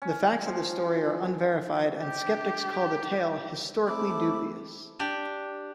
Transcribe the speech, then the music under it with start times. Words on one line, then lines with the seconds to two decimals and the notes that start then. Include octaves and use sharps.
The facts of the story are unverified, and skeptics call the tale "historically dubious".
0.02 C#4
0.46 F3
1.96 D4 G4
3.87 A3 C4 E4 D6
4.99 D4 G4